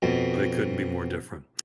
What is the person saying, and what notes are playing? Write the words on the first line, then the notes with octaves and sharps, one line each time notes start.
They couldn't be more different.
F2 B2